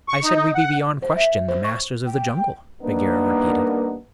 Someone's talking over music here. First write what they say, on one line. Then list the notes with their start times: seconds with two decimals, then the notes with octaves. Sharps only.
"I said we be beyond question the Masters of the Jungle," Bagheera repeated.
0.09 C#6
0.23 D#4
0.55 F#5
1.02 C5
1.17 E5
1.48 C5
1.64 C#6
2.05 G5
2.82 G2 A#3 B3 D4 D#4 A#4